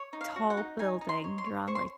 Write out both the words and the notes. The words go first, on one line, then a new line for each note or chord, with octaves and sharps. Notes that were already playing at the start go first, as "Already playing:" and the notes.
tall building. You're on, like
Already playing: C#5
D#4
F5
F#4
F#5
D#4
D#4 G#5
D#4
C6
C#5
C6
C#5
C5 C#6
C6